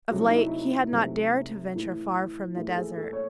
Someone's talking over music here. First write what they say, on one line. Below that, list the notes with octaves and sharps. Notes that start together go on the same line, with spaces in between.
Of late he had not dared to venture far from the desert.
C3 F#3 A3 F#4
E4
D#4
E4
C3 F#3 A3
A2 E3 A3
A2 E3 A3 E4
A4
G#4
A4
C#5